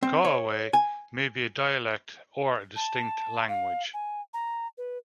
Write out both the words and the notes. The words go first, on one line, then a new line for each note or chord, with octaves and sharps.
Kawaway may be a dialect or a distinct language.
C4
C#5
G#5
A5
F5
G#5
A#5
B4